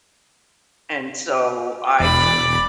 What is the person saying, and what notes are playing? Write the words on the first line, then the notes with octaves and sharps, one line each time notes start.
And so, I've
E1 D5 B5